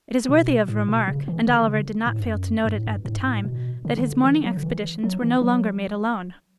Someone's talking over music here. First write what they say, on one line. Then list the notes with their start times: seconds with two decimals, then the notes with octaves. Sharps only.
It is worthy of remark, and Oliver did not fail to note it at the time, that his morning expeditions were no longer made alone.
0.29 B2
0.68 A2
0.88 B2
1.08 C#3
1.28 E3
1.47 D3
1.67 C#3
2.06 A2
2.20 G2
2.26 F#2
2.65 G2
2.77 A2
2.87 G2
3.05 A2
3.16 G2
3.27 A2
3.45 B2
3.85 D3
3.97 E3
4.04 D3
4.24 E3
4.44 F#3
4.57 D3
4.63 E3
5.03 F#3
5.22 E3
5.42 F#3